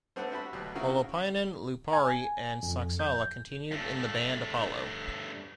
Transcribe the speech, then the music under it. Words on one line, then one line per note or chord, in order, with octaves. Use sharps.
Holopainen, Lupari and Saksala continued in the band Apollo.
G3 A3 B3 C4 D4 F#5
D4 F#4 G4 E5 A5 B5
D2 B2 F#3 G4
C#3 C#4 E4 F#4 A#4
G#5
F2
G6
G2 A3